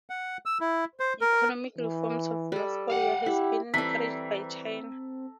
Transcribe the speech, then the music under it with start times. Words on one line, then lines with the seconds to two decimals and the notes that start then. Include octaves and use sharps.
Economic reforms in North Korea has been encouraged by China.
0.10 F#5
0.46 E6
0.60 E4
1.00 C5
1.21 A#4
1.78 E3
2.52 G3 A4
2.90 G4 F5 F#5
3.26 E4 G4
3.74 E3 G3 C4 A4 A#5 B6